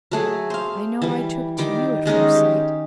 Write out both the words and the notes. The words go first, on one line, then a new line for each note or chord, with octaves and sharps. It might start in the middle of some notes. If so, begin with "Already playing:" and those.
I know I took to you at first sight!
F#3 A3 G#4
C5 F5
E3 G3
D#3 G3 D6
D#3 G#3 C#4 D#4
G4